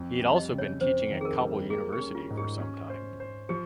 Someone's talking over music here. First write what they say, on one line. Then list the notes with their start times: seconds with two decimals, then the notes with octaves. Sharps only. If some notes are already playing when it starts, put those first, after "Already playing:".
He has also been teaching at Kabul University for some time.
Already playing: F2
0.21 G3
0.36 D#5
0.50 C#3
0.58 C#5
0.81 F2 C5
1.10 D#3
1.21 G#4
1.25 A#4
1.40 G3
1.70 A#3 G#4
1.93 G4
2.00 C#4
2.15 F4
2.30 G#2
2.37 G4
2.60 C#4
2.90 C5
3.20 C5
3.49 F3 G4